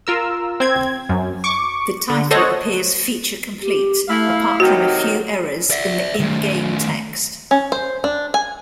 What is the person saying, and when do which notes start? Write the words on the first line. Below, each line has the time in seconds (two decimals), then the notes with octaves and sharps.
The title appears feature-complete, apart from a few errors in the in-game text.
0.07 F4 A#4 E6
0.60 C4 G#6
1.09 F#2
1.44 C#6 D6
2.10 D3
2.31 A4 C5 C#5 D#5 F#5
3.62 G4
4.08 A3 E4 F5
4.60 C3 D#3 F#3 F#4 G5
5.71 D5 E5
6.19 D#3 A3
7.51 C#4
7.72 C5
8.04 D4
8.34 G#5